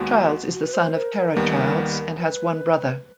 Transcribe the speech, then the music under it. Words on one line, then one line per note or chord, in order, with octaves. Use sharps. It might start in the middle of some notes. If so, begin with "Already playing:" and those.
Childs is the son of Kara Childs and has one brother.
Already playing: D#2 D#3 G#3 B3 F#4
F#4
B4
C5
B4
A#4
D#2 D#3 G3 B3
B4